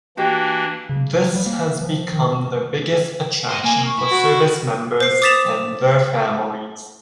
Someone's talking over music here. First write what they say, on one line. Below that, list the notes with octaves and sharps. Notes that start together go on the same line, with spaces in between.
This has become the biggest attraction for service members and their families.
E3 A#3 D4 F#4 G4 D#5
C#3
F3
G3
A#3
F3
D#3
C5 D#5
A#3 G#5
C#6
E4
F#4
C5 C7
D6 D#6 A6 B6 E7 F7